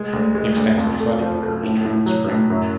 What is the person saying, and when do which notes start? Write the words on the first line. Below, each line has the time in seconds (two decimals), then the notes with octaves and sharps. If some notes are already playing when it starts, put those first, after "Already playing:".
Extensive flooding occurs during the spring.
Already playing: G#3
0.13 D2
0.35 G#3
0.56 D2
0.78 F2
1.00 A3
1.21 F3
1.43 A3
1.63 A2
1.85 A2
2.06 F#3
2.28 A2
2.50 F#2